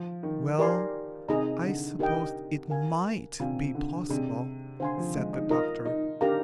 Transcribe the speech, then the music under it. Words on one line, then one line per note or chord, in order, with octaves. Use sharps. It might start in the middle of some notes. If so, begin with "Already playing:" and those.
"Well, I suppose it MIGHT be possible," said the Doctor.
Already playing: F3
D#3
G4 A#4 D5 G#5 C6
C3 D#4 G#4 D#5 A#5
D3
D#4 G4 A#4 D#5 G5
A#4 F5 G#5
C3 D4 F4 C5 F5 G#5
D3
C3 D4 G#4 D#5
D3 C5 F5 G#5 C6
F3
G#3
D#4
D#4 F4 A#4 D#5 A#5
D#4
D4 G4 A#4 F5 A#5